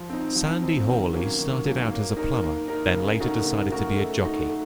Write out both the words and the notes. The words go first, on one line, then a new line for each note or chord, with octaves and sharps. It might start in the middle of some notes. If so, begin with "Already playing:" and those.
Sandy Hawley started out as a plumber then later decided to be a jockey.
Already playing: F3
C4 D#4
F3
C4 D#4
D#3
F#3 A#3 C#4
D#3
F#3 A#3 C#4
A#3
D#4 A#4
A#3
D#4 A#4
C#3
A3 D#4 F#4 A#4
C#3
A3 D#4 F#4 A#4
A3
D#4 F#4
A3